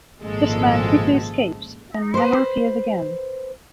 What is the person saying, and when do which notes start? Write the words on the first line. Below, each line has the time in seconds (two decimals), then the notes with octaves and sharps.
This man quickly escapes and never appears again.
0.21 G#1 A#2 C#3 F3 G#3 A4
2.14 B4 C5